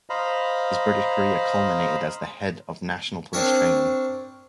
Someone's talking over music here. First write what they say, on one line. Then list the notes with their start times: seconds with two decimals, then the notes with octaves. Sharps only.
His British career culminated as the Head of National Police Training.
0.10 C5 D#5 F5 A#5 B5
3.33 C4 D4 A#4 C#5